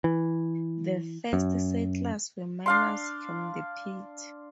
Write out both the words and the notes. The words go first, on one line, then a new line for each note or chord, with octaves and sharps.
The first settlers were miners from the pit.
E3
F#2
D4 F5 C6